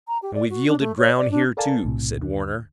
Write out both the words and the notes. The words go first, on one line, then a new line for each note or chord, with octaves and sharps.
"And we've yielded ground here, too," said Warner.
A#5
G4
D5
F#4
D4
A3
C#5
D5
D4
A4 A#4 D5 F5 G#5 A5
B1 A2 C3
D#2 D3